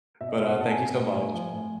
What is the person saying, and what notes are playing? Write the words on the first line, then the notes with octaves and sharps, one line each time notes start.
But, uh, thank you so much
B2 E5
D#5
B2 E5
F#5
B2 A5
G#5
B2
A2
A2
F3
A2